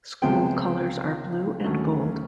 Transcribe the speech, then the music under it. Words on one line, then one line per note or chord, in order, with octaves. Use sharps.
School colors are blue and gold.
C#2 C3 F3 G#3 B3 G5
D#2 D3 F#3 A3 C#4